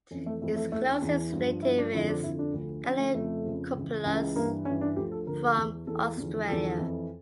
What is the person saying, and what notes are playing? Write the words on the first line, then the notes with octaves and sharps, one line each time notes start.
Its closest relative is "Calycopeplus" from Australia.
F2 E3 C#4
A3
F2 E3 A3
A3
E2 E3 A3
C#4
E2 E3
G2 F3
G2 F3 E4
D4
F2 D3 F3 E4
D4
F2 D3 F3 E4
D4
D2 D3 F3
D2 D3 F3 C#4
A3
F2 C#3 F3 A3
F2 C#3 F3
C#2 C#3 E3
C#2 C#3 E3
G2 E3 A#3
G2 E3 C#4
D4
D2 D3 F3 G4
A4
D2 D3 F3 A#4
E2 E3
E2 E3 A4
E2 D3 F3
E2 D3 F3 A4
F2 E3